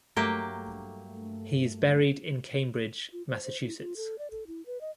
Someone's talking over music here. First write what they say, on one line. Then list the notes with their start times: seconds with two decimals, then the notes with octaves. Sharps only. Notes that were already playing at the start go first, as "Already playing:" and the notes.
He is buried in Cambridge, Massachusetts.
0.16 G2 F#3 A3 A#3 G4
3.13 F4
3.28 C5
3.43 C5
3.64 E4
3.79 F4
3.97 A4
4.19 D5
4.31 A4
4.47 E4
4.66 B4
4.81 D#5